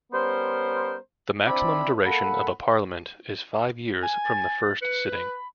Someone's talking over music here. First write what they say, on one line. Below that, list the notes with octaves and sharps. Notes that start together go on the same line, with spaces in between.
The maximum duration of a Parliament is five years from the first sitting.
G3 B3 C#4 A#4 C5
C4 D4 E4 C5 D5 B5
A#3 A4 F#5 B5
G#5
A6
B4 C#7
B5